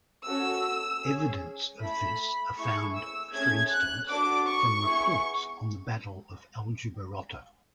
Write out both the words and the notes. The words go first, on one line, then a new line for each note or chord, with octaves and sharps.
Evidence of this are found, for instance, from reports on the Battle of Aljubarrota.
C#4 F#4 A4 E6
C#4 G#4
A3 E4 A4 B5
A3 E4 G#4 C#6
E6
A3 C#4 G#4 G#6
F#6
D4 F#4 A4 D6
C#6
B3 E4 G#4